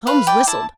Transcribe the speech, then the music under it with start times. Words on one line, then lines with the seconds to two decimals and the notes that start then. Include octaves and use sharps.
Holmes whistled.
0.07 B4 F5
0.27 D5 G5
0.47 E4 A5